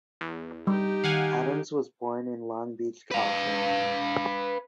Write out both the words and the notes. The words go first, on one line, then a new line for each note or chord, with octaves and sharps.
Adams was born in Long Beach, California.
E2
G3 D#4 G4
D#3 F5 F#5 G#5
B4 F5